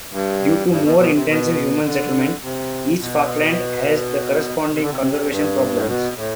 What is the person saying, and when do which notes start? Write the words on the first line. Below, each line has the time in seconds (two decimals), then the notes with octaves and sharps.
Due to more intensive human settlement, East Falkland has the corresponding conservation problems.
0.12 G2
0.70 G2
0.84 B2
0.98 B2
1.14 C3
1.28 B2
1.85 D3
2.43 C3
3.00 B2
4.72 C3
4.81 D3
4.90 C3
5.02 C3
5.30 G2
5.75 A2
5.88 B2
6.16 A2